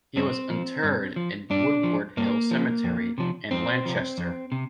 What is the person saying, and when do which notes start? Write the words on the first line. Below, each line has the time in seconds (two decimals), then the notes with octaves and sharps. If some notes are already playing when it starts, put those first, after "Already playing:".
He was interred in Woodward Hill Cemetery in Lancaster.
0.16 G2 C4
0.50 F3
0.83 G2
1.16 F3
1.50 G2 D4
1.83 F3
2.17 G2 A#3
2.51 F3
2.84 F2
3.18 C3 F3
3.51 F2 C4
3.85 C3 F3
4.18 F2
4.52 C3